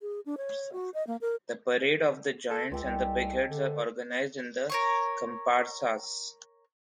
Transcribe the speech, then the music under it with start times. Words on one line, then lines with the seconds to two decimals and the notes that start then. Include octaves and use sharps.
The parade of giants and bigheads are organized in “comparsas”.
0.01 G#4
0.26 D4
0.37 C#5
0.73 F#4
0.94 D#5
1.07 A#3
1.21 A#4
2.50 A4
2.72 C#2 G#3 G4 A4
2.83 C2
3.49 D3
4.70 A#4 C#5 C#6